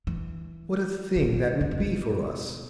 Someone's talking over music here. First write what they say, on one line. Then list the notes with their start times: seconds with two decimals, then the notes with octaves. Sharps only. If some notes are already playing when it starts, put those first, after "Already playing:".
'What a thing that would be for us!'
0.07 E3
1.16 E3
1.22 D#3
1.61 C#3
1.71 C3
1.80 B2